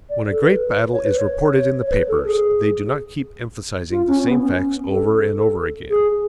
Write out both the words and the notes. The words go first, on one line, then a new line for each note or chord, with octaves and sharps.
When a great battle is reported in the papers, they do not keep emphasizing the same facts over and over again.
D5
A4
B4
C#5
B4
C#5
C#5
B4
A4
G#4
F4
C#4
B3
C#4
A4
G#4